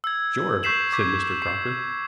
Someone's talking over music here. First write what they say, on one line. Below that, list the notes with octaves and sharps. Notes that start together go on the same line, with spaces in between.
"Sure," said Mr. Crocker.
E6 G#6
C#6 G6 B6 C7 E7 F#7
C#6 D6 G#6 B6
C7